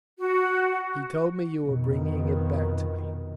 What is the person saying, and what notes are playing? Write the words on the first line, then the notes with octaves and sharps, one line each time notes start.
"He told me you were bringing it back to me."
F#4
F2 B2 D#3